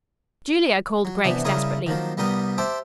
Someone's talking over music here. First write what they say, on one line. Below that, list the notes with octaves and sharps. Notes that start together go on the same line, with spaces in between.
"Julia," called Grace desperately.
F#3
C3 E3 B3 D4
C#3 G3 E4 A#4 C#5 D#6
D#3 F3 F#3 A#3
C2 G3 B3 G4 A#4 D#6
G4 C5 E5 A5 D6